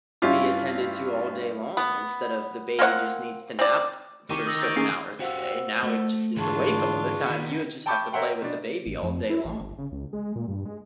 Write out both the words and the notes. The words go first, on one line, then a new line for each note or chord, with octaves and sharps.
be attended to all day long instead of the baby just needs to nap for certain hours a day, now it just is awake all the time. You would just have to play with the baby all day long.
G2 C#4 E4 F4 G4
B3
A#3 C4 C#5 F#5
C4 D5
C2 C3 D#3 G3 C#6 D6 D#7
D#6 E6 A#6
G6 A6 D7
A#3 C#4 G#4 C7
F#4 G4 C5 F5 F#5 E6
A3
G#2 D3 E3 D4 F4 G#4 A5 C#6
D#3 B3
G5 A5 B5 C#6 D6 G6
A#4 C#5 E5 F#5 G5 C6
B2 D4
A1
F2
E4
A1
G1
C#3
C#2
G#3
A#2
G2
G#3